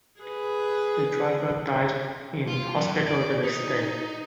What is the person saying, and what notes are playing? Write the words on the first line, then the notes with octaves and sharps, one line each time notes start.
The driver died in hospital the next day.
G#4 B4
F4
F#2
D5
D#4